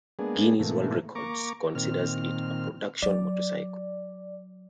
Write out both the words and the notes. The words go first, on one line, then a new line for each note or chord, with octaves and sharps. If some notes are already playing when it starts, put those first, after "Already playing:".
Guinness World Records considers it a production motorcycle.
G#3 A#3 B3 D4 G#4
G#2 B2 E3 A3 A#3
A#3 A#5 C#6 D6
A#2 D#3 C4 F6
F#3 D5